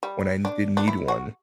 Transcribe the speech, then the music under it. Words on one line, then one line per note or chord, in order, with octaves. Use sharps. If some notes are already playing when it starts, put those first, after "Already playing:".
when I n did need one.
G3
D4
D4
E4
F#4